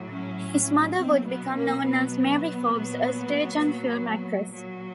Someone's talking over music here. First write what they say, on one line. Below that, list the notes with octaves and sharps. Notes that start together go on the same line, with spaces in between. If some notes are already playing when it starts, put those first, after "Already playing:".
His mother would become known as Mary Forbes, a stage and film actress.
Already playing: A2 F#3
C#4
B2 F#3 C4
B3
A#3
B3
A#2 F#3
A#2 F#3